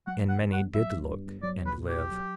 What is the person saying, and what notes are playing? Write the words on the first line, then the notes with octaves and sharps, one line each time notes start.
And many did look and live.
F#3 F#5
G1
F#5
G2
F#5
G1
F#3 E5
G1
G2
G1
F#3 D5
B1
B4
A#2
G4
B1
F#3